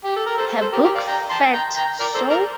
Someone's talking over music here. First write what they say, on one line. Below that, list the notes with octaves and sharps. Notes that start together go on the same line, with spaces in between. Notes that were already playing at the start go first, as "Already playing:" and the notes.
Her book Fat!So?
G4
A4
A#4
A4 C5
A4 C5
G4 A#4
G4 A#4
D5 F5
G5 A#5
A5 C6
G5 A#5
G5 A#5
A#4 D5
A4 C5
A#4 D5